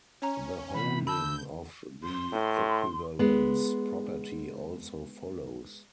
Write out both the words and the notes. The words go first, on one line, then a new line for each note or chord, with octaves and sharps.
The holding of the equivalence property also follows.
C#4 C#5 A#5
C3 E3 B5
D3 A5 B5 E6 G6
C6
A2
G#3 B3